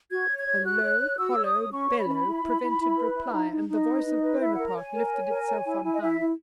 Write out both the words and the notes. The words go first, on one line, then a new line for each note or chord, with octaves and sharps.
A low hollow bellow prevented reply, and the voice of Bonaparte lifted itself on high.
F#4 G#6
C#5
G#6
C#5
F#4 F#6
C#5
C#5
F#4 E6
C#5
D#6
C#5
C#4 C#6
C#5
B5
C#4
E4
E4
E4
E4
B4
E4
D#4 A#5
D#4
D#4 D#5
B4
D#4
B4
E4 E5
F#5
A#4
A#5
C#5 G#5
A#4
C#5
A#4
C#5
E4
E4
D#5
E4 E5
E4